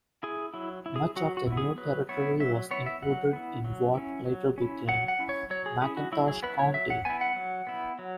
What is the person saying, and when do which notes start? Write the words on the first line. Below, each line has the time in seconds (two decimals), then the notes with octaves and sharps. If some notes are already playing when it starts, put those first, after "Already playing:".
Much of their new territory was included in what later became McIntosh County.
0.23 E4 G#4
0.54 F#3 E4
0.86 E4
0.96 G#4
1.16 F#3 F#4
1.37 F#4
1.47 E4
1.52 B3
1.57 G#4
1.78 F#3 B4
2.09 B3 E4 C#5
2.40 F#3 E5
2.71 B3 E4 C#5
2.86 E5
3.02 F#3 F#5
3.33 B3 E4
3.64 F#3
3.95 C#4 E4
4.26 F#3
4.58 C#4 E4
4.88 F#3 F#5
5.08 F#5
5.19 C#4 E4
5.29 C#5
5.50 F#3 C#5
5.66 G#4
5.82 C#4 E4 G#4
5.97 F#4
6.12 F#3 E4
6.28 G#4
6.43 B3 E4 B4
6.59 C#5
6.74 F#3 E5
6.90 F#5
7.05 B3 E4 G#5
7.21 F#5
7.36 F#3
7.67 B3 E4
7.99 F#3